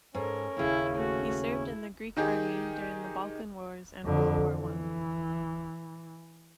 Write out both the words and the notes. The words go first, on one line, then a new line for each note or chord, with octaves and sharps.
He served in the Greek army during the Balkan Wars and World War One.
G#2 C#4 A4 A#4
D#2 C#3 E4
A3 F#4
E4
D#3 D#4 G4 G#4
F2 D3
E3